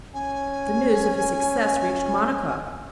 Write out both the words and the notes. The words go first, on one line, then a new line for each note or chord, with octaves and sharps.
The news of his success reached Monica.
C#4 G#5